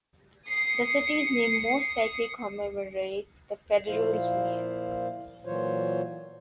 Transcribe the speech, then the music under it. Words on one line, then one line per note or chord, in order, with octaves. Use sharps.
The city's name most likely commemorates the federal union.
D#6 C7 C#7
A#2 F3 A#3 E4 C5 F5
A#2 E3 F#3 F4 C5 C#5